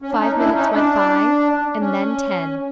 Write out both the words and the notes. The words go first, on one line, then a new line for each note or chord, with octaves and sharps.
Five minutes went by and then ten.
C#4
D4
C#4 D#4
D4 E4
C#4 D#4
D4
C#4